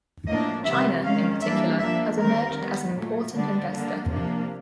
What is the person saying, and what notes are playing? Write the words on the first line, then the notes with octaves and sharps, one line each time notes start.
China, in particular, has emerged as an important investor.
A2 F3 A#3 D4 D#5
C3 D#3 G3 B3 E5
D#3 G#3 C#4 F5
E3 G3 A#3 D4 E5
F3 A#3 D4 E5
D#3 G3 C4 A#4
D#3 G3 B3
A#2 F#3 A3
D3 G3 B3 D4
D3 G3 A#3 D4
C3 F3 A#3 D4